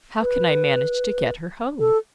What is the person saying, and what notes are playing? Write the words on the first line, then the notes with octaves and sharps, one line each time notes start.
'How can I manage to get her home?
B4
A4